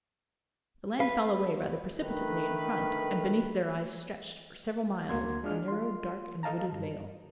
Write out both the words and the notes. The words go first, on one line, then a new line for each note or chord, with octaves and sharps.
The land fell away rather precipitately in front, and beneath their eyes stretched, for several miles, a narrow, dark, and wooded vale.
B4 F5
D3 D#3 A3 A4 B4
D2 A#3 F#4 C6 G#6
G#3 D4 F4 G#4 D#5 F6
F4 C6
A4 D#5 F5 A5 A#5
G2